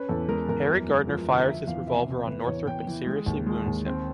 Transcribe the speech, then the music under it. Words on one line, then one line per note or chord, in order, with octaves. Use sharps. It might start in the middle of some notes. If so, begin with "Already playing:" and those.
Harry Gardner fires his revolver on Northrop and seriously wounds him.
Already playing: C#4 B4
E2 A4
G#3 A#4
E2 A#4
F#2
G#3
F3
D3
F3 E5
E2 F5
C3 E5
C3
E2 B4
E2 C#5
E2 G5
E3
G#3
D#2
G#3
D#2
C4